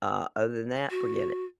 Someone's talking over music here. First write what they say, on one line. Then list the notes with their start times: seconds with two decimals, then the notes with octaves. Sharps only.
Uh, other than that, forget it.
0.90 F#4